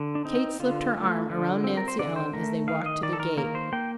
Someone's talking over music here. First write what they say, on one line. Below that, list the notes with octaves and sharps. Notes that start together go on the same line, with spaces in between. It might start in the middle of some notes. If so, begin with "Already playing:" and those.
Kate slipped her arm around Nancy Ellen as they walked to the gate.
Already playing: D3
D4
C4 D#4
D3 F4
A3
D3
C4
A#4
C5
D3 D5
C5
A3 A#4
D#3 F5
D#5
D#3 D5
A4
A#4
A#3 A#4
C5
A#3 G5